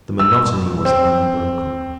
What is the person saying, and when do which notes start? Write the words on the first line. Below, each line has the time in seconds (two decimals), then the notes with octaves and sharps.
The monotony was unbroken.
0.19 E6
0.85 C4